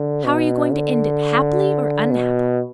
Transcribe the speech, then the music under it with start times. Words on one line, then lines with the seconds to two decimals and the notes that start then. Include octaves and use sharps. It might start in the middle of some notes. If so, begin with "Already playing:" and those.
"How are you going to end it--happily or unhappily?"
Already playing: D3
0.24 B2
0.71 D3
2.11 B2